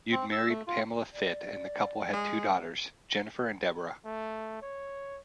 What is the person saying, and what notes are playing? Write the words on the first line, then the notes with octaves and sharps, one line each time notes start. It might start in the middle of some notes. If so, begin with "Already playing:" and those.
Youde married Pamela Fitt and the couple had two daughters, Jennifer and Deborah.
C4
E6
A3
F4
D5
G#3
A3
C#5